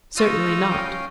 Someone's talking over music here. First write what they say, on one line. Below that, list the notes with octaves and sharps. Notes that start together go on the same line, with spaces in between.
"Certainly not."
D#4 F4 C#6 E6 A6 D#7
C#4 F5 G5